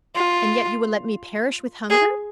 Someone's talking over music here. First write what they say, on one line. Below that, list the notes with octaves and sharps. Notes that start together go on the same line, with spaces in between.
"And yet you will let me perish with hunger?"
F4
G#4